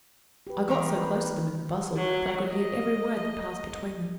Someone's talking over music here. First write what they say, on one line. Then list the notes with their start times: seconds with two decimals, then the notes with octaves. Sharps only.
I got so close to them in the bustle that I could hear every word that passed between them.
0.47 G4 B4
0.68 D#3 E3 G3 A#5
0.95 B4
1.96 F#3
2.47 D#5